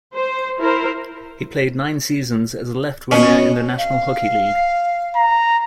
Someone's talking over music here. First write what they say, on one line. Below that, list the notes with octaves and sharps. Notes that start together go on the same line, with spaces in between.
He played nine seasons as a left winger in the National Hockey League.
C5
E4 A#4 C5
B2 C#4
F5
A#5